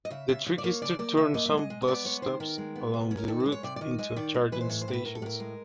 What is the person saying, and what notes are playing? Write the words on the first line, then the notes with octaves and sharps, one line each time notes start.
The trick is to turn some bus stops along the route into charging stations.
D#5
C#3 E5
C#3 E5
C#3 C#5
D5
A#3 C#5
C#3 D5
A#3 D5
C#3 E5
A#3 D#5
E5
G#3
D#5
G#3
D#5
B3 D5
G#3 C#5
D#3 C5
D#3 A#4
G#3
B3
C3
C#4
A#4
D#3 A4
B4
G#3
C#5
C3 D5
D5
D#3 D#5
G#3 D#5
D#3 D5
G#3
E3 B4
C5
A2 C#5
C5
A2
B4
A2 A#4
A4
A2 A#4
G#3